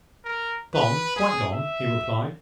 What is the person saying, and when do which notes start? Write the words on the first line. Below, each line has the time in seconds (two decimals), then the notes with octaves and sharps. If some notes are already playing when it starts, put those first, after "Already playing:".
"Gone, quite gone," he replied.
0.25 A#4
0.75 B4
1.16 G#4
1.53 E5